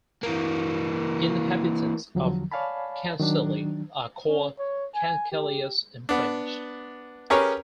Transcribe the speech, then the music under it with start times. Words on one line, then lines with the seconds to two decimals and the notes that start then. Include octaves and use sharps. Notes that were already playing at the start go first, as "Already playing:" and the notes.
Inhabitants of Cancale are called "Cancalais" in French.
0.23 E3 A#3
2.15 E2 D3 F3 F#3
2.52 C#5 D5 F5 G#5 A5 B5
3.20 D#3 F#3 D4
4.27 C#4
4.59 C#5
4.95 G#5
5.32 G4
6.09 B3 D4
7.30 C#4 G4 G#4 A#4 B4 C#5